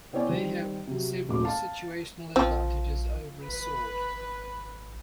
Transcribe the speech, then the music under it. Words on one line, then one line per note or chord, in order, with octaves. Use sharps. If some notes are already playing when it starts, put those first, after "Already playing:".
They have several situational advantages over a sword.
B3 C4 E4 C#5 D5 G#5
D#3 G3 C4
C3 F#3
D#1 G#2 G#3 A3 D6
F5 A5
A#1 F3 C4
G#1 B4